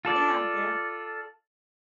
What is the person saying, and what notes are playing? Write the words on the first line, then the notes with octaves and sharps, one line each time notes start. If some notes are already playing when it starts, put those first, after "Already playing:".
Yeah, yeah.
F4 A4 D5